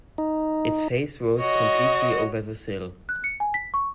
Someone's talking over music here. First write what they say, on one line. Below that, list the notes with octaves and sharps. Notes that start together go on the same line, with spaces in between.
His face rose completely over the sill.
D#4
F#4 C#5 D#5
F#6
C#7
G#5
B6
C#6